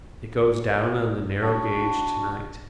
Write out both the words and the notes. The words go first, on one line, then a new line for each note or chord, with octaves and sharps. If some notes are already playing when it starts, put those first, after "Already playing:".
It goes down on the narrow-gauge to-night.
D4 F#4